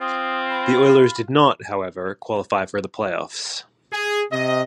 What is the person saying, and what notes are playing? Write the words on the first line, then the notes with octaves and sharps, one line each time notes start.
The Oilers did not, however, qualify for the playoffs.
C4 F4 D#6
B5
G#4
C3 D#5